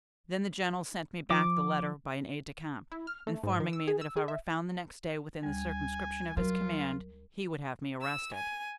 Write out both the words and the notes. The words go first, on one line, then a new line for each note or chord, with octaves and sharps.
"Then the general sent me back the letter by an aide-de-camp, informing me that if I were found the next day within the circumscription of his command, he would have me arrested."
F3 D6
E4
F6
A3
G#2
D#3
E6
G#4
E6
G#4
E5
D2 G3 G#5
F#3 F4 A#4
E6
G#5